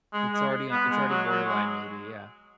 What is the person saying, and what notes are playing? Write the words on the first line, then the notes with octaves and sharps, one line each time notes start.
It's already on it's already borderline, maybe, yeah.
G#3
G#3
B3
G#3
F#3
F#3
G#3